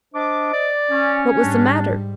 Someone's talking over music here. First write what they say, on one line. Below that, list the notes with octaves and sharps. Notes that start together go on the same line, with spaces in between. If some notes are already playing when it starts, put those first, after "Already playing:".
What was the matter?
D4 C5 D#5 D6
D5
C#4
G#2 G3 D4